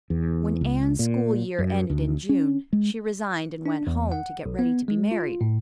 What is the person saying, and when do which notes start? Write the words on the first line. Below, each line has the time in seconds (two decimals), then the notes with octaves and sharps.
When Anne's school year ended in June she resigned and went home to get ready to be married.
0.10 E2
0.61 C#2
0.99 A#2
1.59 F#2
1.90 D2
2.29 C#4
2.73 G#3
3.66 D4
3.87 E2
4.12 F#5
4.46 B1
4.59 B3
4.88 G#3
5.11 F4
5.41 A2